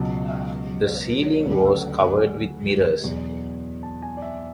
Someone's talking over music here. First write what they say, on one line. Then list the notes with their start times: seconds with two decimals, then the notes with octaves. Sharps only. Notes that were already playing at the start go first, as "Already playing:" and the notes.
The ceiling was covered with mirrors.
Already playing: C#2 B2 F#3 A5
1.39 C#5
1.45 D2 C#3 F#3 B4
1.66 A4
1.85 F#5
2.00 F#5
2.05 G#5
3.03 E2 B2 F#3
3.83 A5
4.02 G#5
4.17 D5
4.22 E5